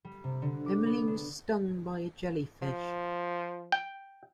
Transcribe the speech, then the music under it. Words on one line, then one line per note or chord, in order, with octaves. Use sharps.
Emily was stung by a jellyfish.
G3
C3
D3
D6
B3
D4
F3
G5